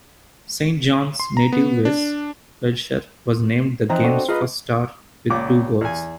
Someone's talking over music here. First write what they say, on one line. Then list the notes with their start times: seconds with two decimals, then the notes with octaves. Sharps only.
Saint John's native Wes Welcher was named the game's first star with two goals.
1.20 C6
1.37 A#5
1.52 B3
1.85 D4
3.89 E3 F3 C4 D#4 A#5 F#6
4.04 D4 F#4 A4 D#5
4.29 F4 G#4 B4 D#5 A#5
5.30 C#2 A#2 D6
5.81 E2 G#5